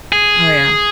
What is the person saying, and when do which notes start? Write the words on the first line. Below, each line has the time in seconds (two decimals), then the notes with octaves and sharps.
Oh, yeah.
0.12 G#4